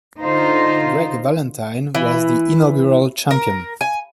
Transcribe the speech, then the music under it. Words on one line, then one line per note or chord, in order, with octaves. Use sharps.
Greg Valentine was the inaugural champion.
D3 D#4 F4 C5
E3
A#4
G#5